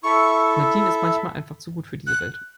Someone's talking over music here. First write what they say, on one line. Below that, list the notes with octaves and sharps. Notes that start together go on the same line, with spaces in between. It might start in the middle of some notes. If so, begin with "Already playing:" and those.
Nadine ist manchmal einfach zu gut für die Welt.
E4 A4 E5 C#6
F#6